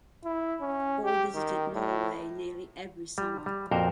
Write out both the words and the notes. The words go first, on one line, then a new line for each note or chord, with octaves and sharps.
Ore visited Norway nearly every summer.
E4
C#4
G4
D#3
A2
G3
G3
F2 A#2 F#4 A#4 C5